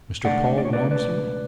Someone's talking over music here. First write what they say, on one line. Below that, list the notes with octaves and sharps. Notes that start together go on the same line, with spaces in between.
"Mr. Paul Walmsley?"
C#2 B2 A3 D4 D5 F#5
D5
C#5
B4 D5
B4 D5